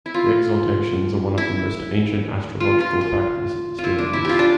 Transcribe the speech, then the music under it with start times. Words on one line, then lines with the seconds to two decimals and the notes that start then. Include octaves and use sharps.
The exaltations are one of the most ancient astrological factors still in use.
0.06 E4
0.14 F4
1.38 E4
2.60 F4
2.80 F4
3.01 F4
3.78 F4
3.84 E4
3.98 D4
4.13 E4
4.25 F4 G4
4.39 D4